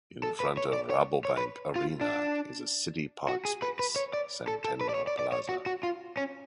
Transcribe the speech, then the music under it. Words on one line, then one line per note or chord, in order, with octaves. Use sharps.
In front of Rabobank Arena is a city parkspace, Centennial Plaza.
A4
B4
C#5
D5
C#5
C#5
B4
F4
D4
F#4
G#4
B4
B4
C#5
D5
A4
A4
B4
D5
C#5
D5
D5
C#5
F#4
F#4
F4
C#4